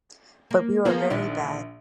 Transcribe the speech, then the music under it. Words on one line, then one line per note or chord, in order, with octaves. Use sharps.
But we were very bad.
A#3
F3 A#3 B3 G#4 A#4
A#1 D#3 D4 E4